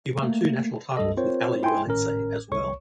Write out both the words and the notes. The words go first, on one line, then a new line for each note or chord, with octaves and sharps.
He won two national titles with Alajuelense as well.
A3 A#3
C#2 G2 G3 A4 D#5
C4 F4 A#4 C5 C#5
E4 G5 G#5 C6
G#1 A2 C#4 A#4
G1 C2 C#5 C#6